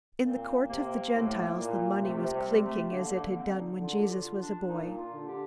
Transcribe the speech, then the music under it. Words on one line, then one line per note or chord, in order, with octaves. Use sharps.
In the Court of the Gentiles the money was clinking as it had done when Jesus was a boy.
A#2 C4
C3 A#3
A2
A#2
C3 A3
G3
A3
D3 A#3
A#3
C4
D#4
D3 F4
G4
F4
D4
A#2 D#4
F4
D3
G4